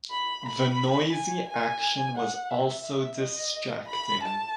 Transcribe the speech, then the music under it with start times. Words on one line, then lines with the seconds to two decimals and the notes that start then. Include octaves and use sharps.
The noisy action was also distracting.
0.11 B5
0.45 B5
1.13 G#5
1.48 G#5
2.17 F#5
2.51 E5
2.86 E5
3.20 D#5
3.88 B5
4.23 A5